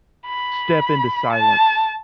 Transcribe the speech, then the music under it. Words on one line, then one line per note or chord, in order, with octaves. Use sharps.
step into silence,
B5
A5